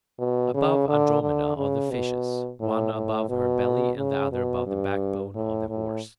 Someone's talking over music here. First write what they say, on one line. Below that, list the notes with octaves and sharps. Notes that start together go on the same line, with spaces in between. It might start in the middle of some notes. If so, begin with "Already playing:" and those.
Above Andromeda are the Fishes, one above her belly and the other above the backbone of the Horse.
B2
C#3
D3
D3
C#3
B2
A2
A2
B2
C#3
B2
G2
A2
A2